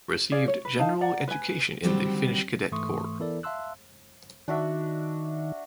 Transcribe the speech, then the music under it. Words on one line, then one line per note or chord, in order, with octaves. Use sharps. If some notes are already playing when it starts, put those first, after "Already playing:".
Received general education in the Finnish Cadet Corps.
G#4 D5 F5
C#5
B4
D#4 F5 A5
D5 F#5 A#5
B4 G#5
D3 D#3 F#3 G3 C4
G#2 E3 A3 C6 C#6 D#6
E3 B3 E4 A4 A#4 D5
E5 F5 A5 C6 E6 F#6
D#3 D4 F#4 E5